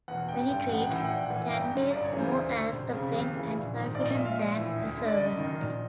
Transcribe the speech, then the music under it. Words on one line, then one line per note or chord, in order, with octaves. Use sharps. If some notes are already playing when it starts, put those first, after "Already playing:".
Mary treats Candace more as a friend and confidant than a servant.
E2 B2 F#5
A1 G5
G2 D3 G5
A1 F#5
G5
A2 E3 F#5
G5
F#5
A#1 G5
F#5
A2 E3
G1 G5
F#2 D3
G1 D5
C#5
F#2 C#3 E3
C5
D2 C5
D3
F1
F2 C#3
D#2
C#3 E3
A#1
G#2 D#3
A#1 D5
D#5
A#2 E5
F5
A#1 E5
A2 E3
D2
D3
D5
F#1 D#5
F#2 D#3
A#1